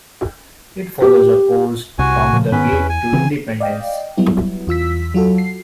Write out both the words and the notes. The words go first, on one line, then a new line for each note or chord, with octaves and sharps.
It follows a course from the gate to Independence.
G4
C2 C3 F#4 G#5
A#2 C#3 F3
G#2 D#3 B3 C#4 B4
E2
G#5
C#3 E3 C4
D5 D#5 F5 G5
F#3 G3 B3 E4
E2 F4 E6 B6
F#3 F4 F#4 A4
C7